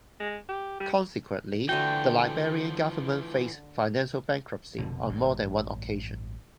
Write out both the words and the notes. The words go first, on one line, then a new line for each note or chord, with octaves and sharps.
Consequently, the Liberian Government faced financial bankruptcy on more than one occasion.
G#3
G4
G3
D3 E3 F3 A3 F#4 G5
F1 F2 B2 D3
A1 G2